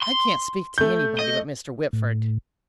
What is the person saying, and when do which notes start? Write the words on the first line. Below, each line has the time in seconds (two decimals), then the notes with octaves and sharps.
"I can't speak to anybody but Mr. Whitford."
0.03 C6
0.78 A3 G6
1.19 D#5
1.93 A2